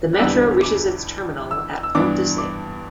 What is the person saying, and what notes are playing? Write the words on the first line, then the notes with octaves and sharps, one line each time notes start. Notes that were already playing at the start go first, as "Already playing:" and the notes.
The metro reaches its terminal at Pont de Sèvres.
F#6
E2 D3 G3 B3 D4 E6
D6
E6
E6
G2 E3 B3 D4 D6
D6